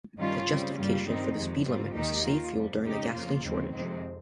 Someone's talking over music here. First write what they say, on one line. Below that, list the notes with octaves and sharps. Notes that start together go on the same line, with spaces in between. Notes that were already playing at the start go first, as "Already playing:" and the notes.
The justification for the speed limit was to save fuel during the gasoline shortage.
G2 D#3 G3 C#4 F4
C#3 G3 C4
G2 G3 A#3 F4
G2 D#3 G3 C4 D#4
F2 C3 D#3 G#3
G#2 G3 C4 F4
D#2 D#3 G#3 D#4 G4
D#3 A#3 F4
F2 C3 G3
C#3 G#3 D#4 G4
F2 C#3 F3 A#3 F4
D#2 C#3 F3 G#3 C4
F2 C3 D#3 G#3 C4